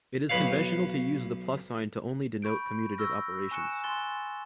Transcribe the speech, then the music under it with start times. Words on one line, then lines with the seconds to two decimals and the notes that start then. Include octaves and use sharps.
It is conventional to use the plus sign to only denote commutative operations.
0.29 B1 B4 C#5 F5
2.42 B5 C#6 G6 D7
2.98 C#6 E6 F6 A#6
3.51 G#5 C#6 F#6 C#7 E7
3.84 G#5 C6 F#6 A6 G7